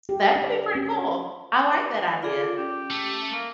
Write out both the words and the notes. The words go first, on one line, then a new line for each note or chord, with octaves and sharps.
That could be pretty cool. I like that idea.
G4
D4
C#4
F4 G#4 A4 D5
C#4 G4
A3
A#3